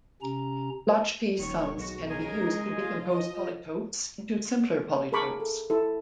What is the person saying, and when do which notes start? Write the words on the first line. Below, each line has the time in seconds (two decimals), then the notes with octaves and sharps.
Blaschke sums can be used to decompose polytopes into simpler polytopes.
0.22 C3 C#4 A#5
1.38 D#1 D#3 F#3 C#5
1.76 B1 G#3 F#4
2.10 C#3 D#4 G#4 A#4 D#5 G#5
2.45 G#3
2.78 F4
3.11 F3 D#5
5.12 G#4 A#4 A5 B5 C#6 D6
5.40 A4
5.70 E4 A4